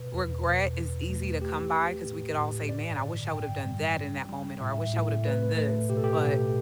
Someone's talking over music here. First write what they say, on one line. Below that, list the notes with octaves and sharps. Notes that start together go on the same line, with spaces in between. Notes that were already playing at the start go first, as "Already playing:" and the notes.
regret is easy to come by 'cause we could all say, "Man, I wish I would've done that in that moment, or I wish I would've done this," but
Already playing: B2 B4
E2
B2
E2
A3
A3 G4
A3
A2
A2
G2 D5
D3
G2 G5
G3
G3
G3
A2 E5
A2
A3 B4
A3
B2 G4
A4
G4
B2